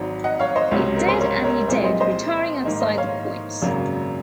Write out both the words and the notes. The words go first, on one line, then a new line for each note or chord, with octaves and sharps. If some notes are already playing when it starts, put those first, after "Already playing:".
It did and he did, retiring outside the points.
Already playing: G#1 G#2 F#3
D#5 F#5
C#5 F5
C5 D#5
C#2 C3 F#3 C#4
A#4
C5
A#4 C#5
A#4 C#5
C2 A#2 G#3 C4 C5
C5 D#5
C5 D#5
G#2 D#3 A#3 D#4
C5 D#5
C#5 F5
G#1 F#2 C#3 F#3 A#3